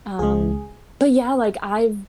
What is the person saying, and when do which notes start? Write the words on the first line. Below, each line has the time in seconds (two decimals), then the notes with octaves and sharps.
um, but yeah, like I've
0.19 C#2 C#3 G#3 G#4